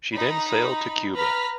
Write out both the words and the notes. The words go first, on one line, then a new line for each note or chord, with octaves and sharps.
She then sailed to Cuba.
D#4 B5
B4 A#5 F6 B6